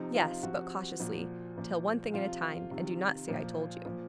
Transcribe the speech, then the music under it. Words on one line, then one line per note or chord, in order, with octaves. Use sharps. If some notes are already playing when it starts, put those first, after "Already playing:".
"Yes, but cautiously, tell one thing at a time, and do not say I told you."
Already playing: C3 F3 D#4
F4
C3 F3 F#4
A#2 F3
A#2 F3
C3 F3 F4
C3 D#3
A#2 F3
A#2 F3